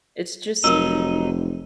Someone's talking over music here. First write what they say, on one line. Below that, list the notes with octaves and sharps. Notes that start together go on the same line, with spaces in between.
It's just
F1 F#3 D#4 A#4 E6